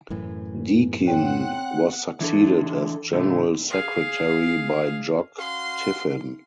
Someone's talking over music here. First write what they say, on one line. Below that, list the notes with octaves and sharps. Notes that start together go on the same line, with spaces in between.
Deakin was succeeded as general secretary by Jock Tiffin.
F#2 A2 E3
C4 C#5 F#5 G5 F#6
E3 D4 A4
A#2 D3 A3
G#4 F5
C#4 F#4 F5 C6